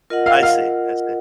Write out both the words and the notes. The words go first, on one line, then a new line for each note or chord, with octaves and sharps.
I see, I see.
F4 A#4 D#5 F#5
F5
F5